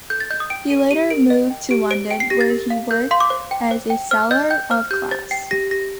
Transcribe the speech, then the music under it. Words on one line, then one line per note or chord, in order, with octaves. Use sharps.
He later moved to London where he worked as a seller of glass.
A4 G6
A6
D#5 G6
D#6
G5 D7
A4 D#7
G4 D#7
A#4 D7
D#5
G5
G4 D7
C5 D7
G5 D7
C7
G4 A#6
A6
A#4
F5
A#4 G6
F5 C6
D6
C5
G5
C5
G5
C5 F6
D#5 G6
G5 G6
C5 F6
G4 G6
C5 A6
G5 C7
G4 A#6
G4 A#6